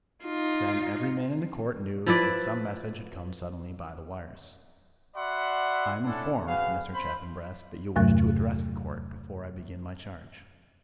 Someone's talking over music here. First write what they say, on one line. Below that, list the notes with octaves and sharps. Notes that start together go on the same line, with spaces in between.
Then every man in the Court knew that some message had come suddenly by the wires. "I am informed, Mr. Chaffanbrass, that you wish to address the Court before I begin my charge."
D#4 F4
F3 E4 B4 D5
F#4 D5 E5 F#5 B5 C6
C#4 D4 E4 A4
F#4 G#4 B4 F5
C5 B5
E2 G2 C3 F#3 A3